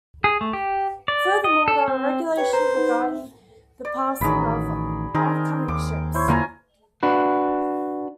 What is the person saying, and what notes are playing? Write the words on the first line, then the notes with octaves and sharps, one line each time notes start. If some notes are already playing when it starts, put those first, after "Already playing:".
Furthermore, there are regulations regarding the passing of oncoming ships.
G#4
A3
G4
D5
D#5
A4
C4
G4 B4 C#5
A#4 C5
B3 D#4
E5
D5
A1 D#3 F#3 G#4 B5
D#3 C4 G#4 A#4
D#2 D6
E4 C5 C#5
E2 D3 A#3 F4 G#5 A#5
D4 F#4 B4